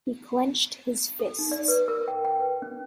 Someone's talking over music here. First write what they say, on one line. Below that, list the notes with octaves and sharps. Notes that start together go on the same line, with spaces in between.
He clenched his fists.
A4
D#4
D5
B4
A#4
G5
G5
B4
C#4